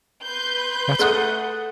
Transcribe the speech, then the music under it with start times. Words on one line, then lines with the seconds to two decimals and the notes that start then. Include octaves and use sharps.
That's good.
0.24 B4 C6 G6
0.99 A3 F#5 D#6